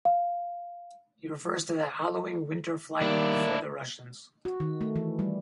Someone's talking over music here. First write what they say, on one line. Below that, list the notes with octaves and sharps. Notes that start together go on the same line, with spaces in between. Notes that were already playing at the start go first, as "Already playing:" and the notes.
He refers to the hallowing winter flight before the Russians.
F5
D#3 G3 A#3 D4 E4
F#4
D#3
A3
E3
G3